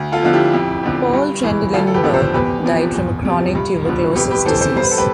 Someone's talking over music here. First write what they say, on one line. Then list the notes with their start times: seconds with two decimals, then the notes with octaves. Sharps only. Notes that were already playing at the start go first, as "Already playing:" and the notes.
Paul Trendelenburg died from a “chronic tuberculosis disease”.
Already playing: D2
0.12 F4 A4
0.22 D3 F3 F4
0.33 E4 G4
0.54 F2
0.83 D3 F3
1.14 G2
1.43 E3
1.73 D2 F4 A4
1.87 A4
1.94 G4 B4
2.04 D3 F3
2.14 A4 C5
2.34 E2 G4 B4
2.64 C3 F3
2.94 E2
3.25 C3 F3
3.55 G2
3.85 D3 F3
4.15 F2 G4 B4
4.31 G4 B4
4.46 E3 A4 C5
4.61 A4 C5
4.76 G2 C5
4.84 B4
4.91 A4
4.97 G4 B4